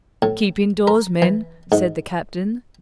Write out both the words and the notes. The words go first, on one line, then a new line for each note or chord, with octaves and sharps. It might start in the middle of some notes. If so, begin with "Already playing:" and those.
"Keep indoors, men," said the captain.
A2
A#4
E3
G#2